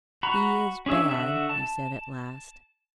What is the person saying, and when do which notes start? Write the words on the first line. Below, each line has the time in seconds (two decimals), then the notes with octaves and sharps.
"He is bad," he said at last.
0.23 F#4 A#5 B5
0.86 C#4 D4 G#4 E5
1.09 D3 F#4 E5
1.49 A5